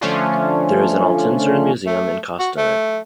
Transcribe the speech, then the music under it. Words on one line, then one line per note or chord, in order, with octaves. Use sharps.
There is an Altynsarin museum in Kostanay.
D3 F3 A3 C#4 D4 F4
A3
F#4
A3